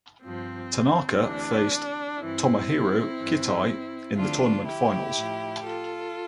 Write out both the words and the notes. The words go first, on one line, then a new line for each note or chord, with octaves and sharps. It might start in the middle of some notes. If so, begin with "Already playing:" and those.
Tanaka faced Tomohiro Kitai in the tournament finals.
G2 F3 C4
D2 C3 E3 D4
G2 E3 C4 E4
G2 E3
D2 D3 F3 D4 F4
E4 G4
A2 F3
F4 A4